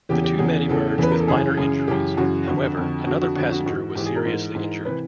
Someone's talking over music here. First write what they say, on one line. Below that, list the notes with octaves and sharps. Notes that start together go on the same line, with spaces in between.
The two men emerged with minor injuries; however, another passenger was seriously injured.
E2 C#3 E3 G4
G4
E2 C#3 E3 G#4
E2 C#3 E3 A4
E2 C#3 E3 B4
A#4
A4
F#2 C#3 E3 G#4
F#2 C#3 E3
F#2 C#3 E3 G4
F#2 C#3 E3 F#4
F2 D3 F#4
F2 D3
F2 D3 F#4
F#4
F2 D3 F#4
F#4
G#2 E3 F#4
G#2 E3 G4
G#4
A#4
G#2 E3
G#2 E3
C3 E3 B4